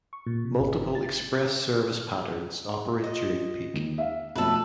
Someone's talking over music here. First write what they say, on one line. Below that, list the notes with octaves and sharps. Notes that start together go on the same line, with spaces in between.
Multiple express service patterns operate during peak.
C#6
A#2
C3
G1
A6
F4 D#5
D#2
E5 F5
B1 F2 A3 A4 B4